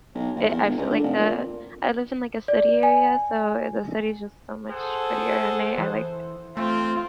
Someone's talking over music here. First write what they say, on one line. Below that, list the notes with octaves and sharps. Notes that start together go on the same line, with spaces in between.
i I feel like the I live in like a city area, so the city is just so much prettier at night, I like
B1
D#2
E2
G1
C#2
D3
F1
A#2
D5
G#5
G#4 A4 C5 F#5
E3
A3 C4 F4